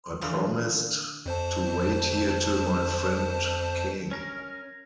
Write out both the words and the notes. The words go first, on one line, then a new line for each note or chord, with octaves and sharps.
I promised to wait here till my friend came.
E2 D3 F3 A#5 B5
F2 C5 A5
C#4 A#4